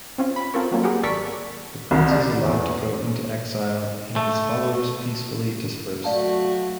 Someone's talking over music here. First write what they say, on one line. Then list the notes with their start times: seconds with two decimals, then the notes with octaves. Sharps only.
The Prince is allowed to go into exile, and his followers peacefully disperse.
0.18 C4 C#4 F4
0.36 B5
0.54 C4 F4 A4 A#4 C#5
0.71 F#3 G3 A#3 C#4
0.83 G4 G#4 A#4 F#5
1.03 G#1 A4 A#4 D5 C#6 B6
1.91 C2
2.12 D5
2.44 E2
4.16 A3
6.04 F#3 A3 F#4 D5 F5 A5